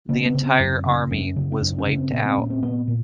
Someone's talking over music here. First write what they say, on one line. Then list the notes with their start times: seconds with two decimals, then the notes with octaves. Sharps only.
The entire army was wiped out.
0.09 C#3 A#3
0.26 B3
0.34 C#3
0.43 C4
0.60 F#2
0.86 C#3
1.11 F#2 C#4
1.36 C#3
1.52 C#4
1.61 F#2 D4
1.79 C#4
1.86 C#3
1.96 C4
2.12 A#2 B3
2.25 C4
2.38 A#2 C#4
2.50 C4
2.63 A#2 B3
2.88 A#2